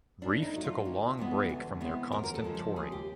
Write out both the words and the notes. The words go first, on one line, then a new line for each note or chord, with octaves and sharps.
Reef took a long break from their constant touring.
A2 D4
D#4
F#3 A3
F4
D2
C3 E3 G#3 B3
D2
C3 E3 G#3 B3
D#2 A#4
A#4
A4
C#3 F3 G#3
A4
D#2 G#4
G4